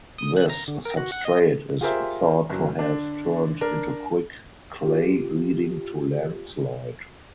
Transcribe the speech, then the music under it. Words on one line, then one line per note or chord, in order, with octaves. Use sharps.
This substrate is thought to have turned into quick clay leading to landslide.
D#6
F#6
A#5
D3
A#4
F#4
F#5
D#5
F4 G4 G#4 A#4 C5 E5
F#1 F#3
D3 D4
D4 A#4
F4 G4